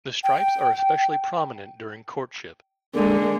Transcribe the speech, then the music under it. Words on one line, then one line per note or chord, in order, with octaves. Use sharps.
The stripes are especially prominent during courtship.
G5
D3 G#3 A#3